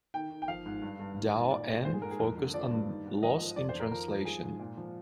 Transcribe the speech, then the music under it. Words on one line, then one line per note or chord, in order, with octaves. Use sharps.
Dao An focused on loss in translation.
D#3 G5
D#3
G5
F3 F5
G#2
G2
G2
D#3
D#3
A#2 D5
A#2
G#2 C5
G#4
G#2 A#4
G#4
F2 A#4
D3
F3 D5
G2
D#3
G#2
F3 D#5
F3
F2 D5
C5
F2
A#4
F3 A#4
F3
F3 G#4
G#2
A#2
F3